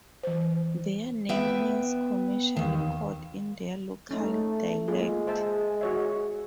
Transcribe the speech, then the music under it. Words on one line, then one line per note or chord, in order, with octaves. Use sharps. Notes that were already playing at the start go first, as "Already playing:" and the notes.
Their name means 'commercial court' in their local dialect.
E3 C5
B3 B4 E5 G5
D#2 D#3
A3 C#4 D#4
G#3 A#3 F4 G#4
C5 E5 A5
F#4 C#5 E5